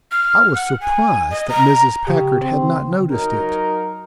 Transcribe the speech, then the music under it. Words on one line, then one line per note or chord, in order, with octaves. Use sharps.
I was surprised that Mrs. Packard had not noticed it.
F6
F#5
G#5
D#5
A#5
C#3 G4
C4
F#3 D#4 A#4